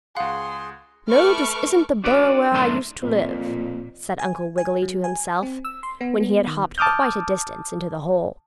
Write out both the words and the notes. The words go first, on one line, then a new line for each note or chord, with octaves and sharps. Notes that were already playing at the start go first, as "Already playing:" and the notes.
"No, this isn't the burrow where I used to live," said Uncle Wiggily to himself, when he had hopped quite a distance into the hole.
C#2 G#4 F5 F#5 C6
A3 B4 C#6 D6 F6
D4 F#4 B4 D5
F#2 A2 D#3 A3 D4 C6
F2 A#2
G#5
G#5
F#3
G#5
C4
E6
C6
B3
B3
D#3
A5 D6 D#6 F6 G6